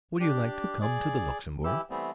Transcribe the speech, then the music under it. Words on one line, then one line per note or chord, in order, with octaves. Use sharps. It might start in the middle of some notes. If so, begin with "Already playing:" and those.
"Would you like to come to the Luxembourg?"
D4 G4
G#4 D5
E3 E4 G4 E6
E3 G3 A3 B3 C4